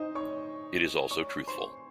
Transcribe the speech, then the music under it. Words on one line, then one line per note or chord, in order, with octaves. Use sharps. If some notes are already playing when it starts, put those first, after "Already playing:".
It is also truthful.
Already playing: D#4 C5 D#5
C#5 C#6
C#5 C#6
C5 C6